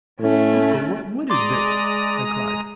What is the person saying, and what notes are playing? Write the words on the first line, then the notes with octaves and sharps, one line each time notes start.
"Uncle, what wood is this?" I cried.
A2 A3 C#4
G#3 D5 A#5 C6 D6 D#6